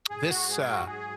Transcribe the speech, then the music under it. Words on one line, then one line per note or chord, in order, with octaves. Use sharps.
This, uh
G#2 G#4
F#4
G#2 G#4
F#4
F#3 G#4